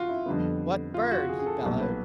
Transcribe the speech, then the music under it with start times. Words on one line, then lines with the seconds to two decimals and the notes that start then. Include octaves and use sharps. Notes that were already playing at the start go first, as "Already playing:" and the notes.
"What bird?" he bellowed.
Already playing: F4 F#4
0.09 E4
0.26 F2 D3 G3 B3
0.94 F4
1.11 F#4
1.29 G#4
1.39 G#4
1.46 A4
1.63 B1 A#2 G3 A#3 A4
1.80 B4